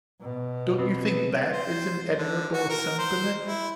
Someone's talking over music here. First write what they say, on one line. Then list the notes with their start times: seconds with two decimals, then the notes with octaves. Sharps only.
"Don't you think that is an admirable sentiment?"
0.21 B2
0.78 B3 C4
1.52 C5
2.17 D3
2.54 F#4
2.70 A#4
2.99 C5
3.47 E4